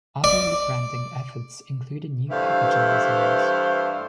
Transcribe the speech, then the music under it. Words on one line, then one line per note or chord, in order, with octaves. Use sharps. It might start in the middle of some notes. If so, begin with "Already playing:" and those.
Other rebranding efforts included new packaging designs.
D5
G2 E3 A3 C5 F5